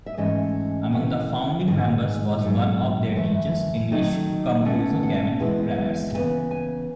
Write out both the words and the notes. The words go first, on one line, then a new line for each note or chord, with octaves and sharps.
Among the founding members was one of their teachers, English composer Gavin Bryars.
E5
G#2 E3 A3 C#4 D#5
D#2 C#3 E3 A3
G#2 D#3 G#3
G#2 F#3 A3
F#2 E3 A3 E5
D#3 F#3 A3 D#4
B2 A3 C#4 F#5
F#5
E2 B2 G#3 B3 E4
F#2 C#3 E3 B3 G#5
G#5